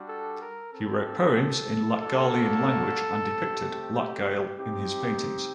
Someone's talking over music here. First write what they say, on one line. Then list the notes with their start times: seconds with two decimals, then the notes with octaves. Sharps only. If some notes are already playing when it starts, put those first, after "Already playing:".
He wrote poems in Latgalian language and depicted Latgale in his paintings.
Already playing: G3 D4 F#4
0.09 A4
0.41 A#4
0.73 C4 G4 A4
2.02 A#3 D4 F#4 A4
3.30 A3 C4 G4
3.95 G4
4.58 C4 D#4 G4